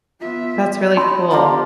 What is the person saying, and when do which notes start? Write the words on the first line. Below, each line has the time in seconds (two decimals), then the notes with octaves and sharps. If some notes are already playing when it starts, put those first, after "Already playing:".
That's really cool.
0.20 B3 F4 E5
0.97 D#4 D#5 B5 C6
1.31 F3 B3 F4 G4 A#5